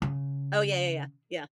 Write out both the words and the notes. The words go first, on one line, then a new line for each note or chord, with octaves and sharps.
Oh, yeah, yeah, yeah. Yeah.
C#3